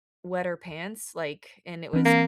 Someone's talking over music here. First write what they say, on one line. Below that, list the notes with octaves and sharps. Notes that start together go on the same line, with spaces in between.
wet her pants, like, and it was
E3 C4
A#3